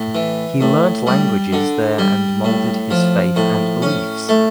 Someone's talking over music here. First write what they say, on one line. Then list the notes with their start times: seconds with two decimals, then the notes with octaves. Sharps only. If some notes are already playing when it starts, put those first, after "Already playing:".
He learnt languages there and molded his faith and beliefs.
Already playing: A2
0.15 E3
0.61 A2
1.07 G3
1.53 D3
1.99 G3
2.44 A2
2.91 F3
3.36 A2
3.82 C#4
4.29 A3